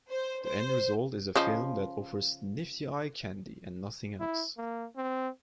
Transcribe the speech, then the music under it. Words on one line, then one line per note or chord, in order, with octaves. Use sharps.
The end result is a film that offers nifty eye-candy and nothing else.
C5
C5
C#3 F3 D#5
E4
A#3
C4